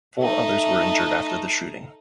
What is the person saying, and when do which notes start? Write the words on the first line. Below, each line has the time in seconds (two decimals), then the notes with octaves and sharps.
Four others were injured after the shooting.
0.18 A3 D#4